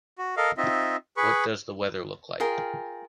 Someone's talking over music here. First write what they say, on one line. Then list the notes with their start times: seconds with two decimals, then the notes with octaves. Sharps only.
What does the weather look like?
0.18 F#4
0.37 A4 A#4 D#5 F5
0.58 C4 D#4 F4 D#5 E5
1.17 G#4 B4 B5 C#6
2.40 F4 G#4 A#4 G5